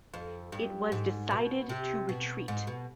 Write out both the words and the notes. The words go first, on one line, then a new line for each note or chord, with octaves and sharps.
It was decided to retreat.
F2
G2
G#2
B2
C3
B2
G#2
B2